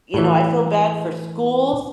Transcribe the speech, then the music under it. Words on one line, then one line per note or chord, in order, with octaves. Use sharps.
you know, I feel bad for schools,
A2 E3